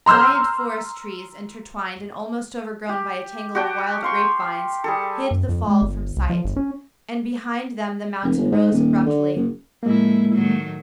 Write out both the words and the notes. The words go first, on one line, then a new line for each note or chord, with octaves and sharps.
Giant forest trees, intertwined and almost overgrown by a tangle of wild grapevines, hid the fall from sight, and behind them the mountain rose abruptly.
A#5 C6 E6 F6 G6
G4
F#4 G4 G5 A5
F5 C6 C#6
G3 G#4 A4
F#2
F2
G#3
G1
C2
F3
G1
C#4
F1
G1
G#2
D#1
D3
F#1
A2 F3 G#3 A#3 E4
A2 D#3 F#3